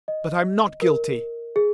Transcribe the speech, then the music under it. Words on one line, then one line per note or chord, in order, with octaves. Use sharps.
But I'm not guilty.
D#5
A#4
G#4